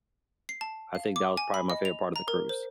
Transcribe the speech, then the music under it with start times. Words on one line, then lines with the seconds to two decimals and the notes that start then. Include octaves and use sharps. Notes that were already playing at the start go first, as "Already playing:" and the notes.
I think that was probably my favorite part of the cruise.
0.49 C7
0.61 A5
0.95 F5
1.16 D6
1.37 G#5
1.54 B5
1.70 D#5
1.85 F7
2.16 A#5
2.28 A#4
2.49 C5